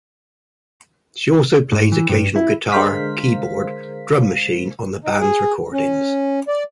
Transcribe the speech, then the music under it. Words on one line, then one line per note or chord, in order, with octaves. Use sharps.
She also plays occasional guitar, keyboard, drum machine on the band's recordings.
G#2
E3
G2
E4
D3 G#3 A#4 C5 F5 B6
D#4
G#4
C#4
D5